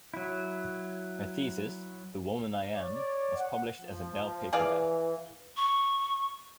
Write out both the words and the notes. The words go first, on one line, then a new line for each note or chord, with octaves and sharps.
Her thesis, "The Woman I Am", was published as a Dell paperback.
F#3 E4
C#5 D5
F#5
F3
E3 G#4 D5 F5
C#6